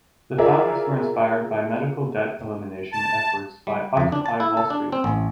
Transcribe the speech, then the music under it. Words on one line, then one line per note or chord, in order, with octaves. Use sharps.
The founders were inspired by medical debt elimination efforts by Occupy Wall Street.
F4 G#4 A#4 D5 E5
A5
G3
F2
D4
A5
E4
A4
D4
C4
A1